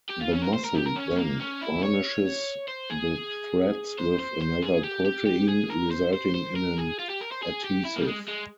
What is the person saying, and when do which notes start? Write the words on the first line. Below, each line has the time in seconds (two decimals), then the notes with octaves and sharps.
The mussel then varnishes the threads with another protein, resulting in an adhesive.
0.10 G4
0.21 F4
0.32 C#4
0.42 A#4
0.54 C5
0.64 A#4
0.75 G4
0.86 A#4
0.96 C#4
1.18 A#3
1.40 C#4
1.62 E4
1.83 C#5
2.68 C5
2.90 G#4
3.98 C5
4.19 C5
4.41 C5
4.62 G#4
4.84 G4
5.06 G4
5.27 G4
5.49 G#4
5.70 A#4
5.91 C5
6.13 C5
6.35 C5
6.56 A#4
6.78 G#4
6.99 F4
7.09 G4
7.21 A#4
7.32 C5
7.42 G#4
7.64 G4
7.85 E4
7.96 A#3
8.01 G3
8.07 G#3
8.28 G#3